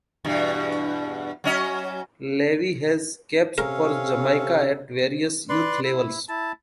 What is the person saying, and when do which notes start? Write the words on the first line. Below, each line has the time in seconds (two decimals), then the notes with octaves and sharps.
Levee has caps for Jamaica at various youth levels.
0.24 E2 G2 B2
1.44 F#3 C#4 D#5
3.58 C3 C#4 A4 A#4 C#5 F5
5.49 B4 D5 C6
5.84 E4
6.29 E4 A5